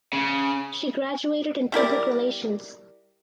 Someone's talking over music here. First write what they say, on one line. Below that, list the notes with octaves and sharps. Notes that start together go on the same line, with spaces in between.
She graduated in Public Relations.
C#3
G3 E4 A#4 D5